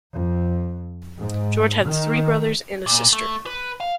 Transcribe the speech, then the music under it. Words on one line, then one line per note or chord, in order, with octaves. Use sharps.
George had three brothers and a sister.
F2
G#2
D#3
A#2
A3
B4
F5